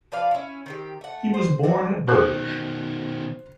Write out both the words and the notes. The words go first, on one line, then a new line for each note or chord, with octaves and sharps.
He was born at Bourges.
F3 B4 D5 F5
C#4 E4
D#3 C4 G4
A3 F#5
C5
C4 D4 F#4 D5
B2 D#3 C5 F#6